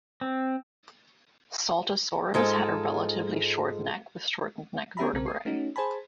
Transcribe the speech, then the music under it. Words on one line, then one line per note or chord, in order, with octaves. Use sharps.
"Saltasaurus" had a relatively short neck with shortened neck vertebrae.
C4
G#2 G#3 F4 A4
B3 C#4 G4 E5 A#5 B5
B1 C#3 C4 A#4
D#6 C7
A3 C#4 D#4 F#4
G#4 C5 G#5 A5 B5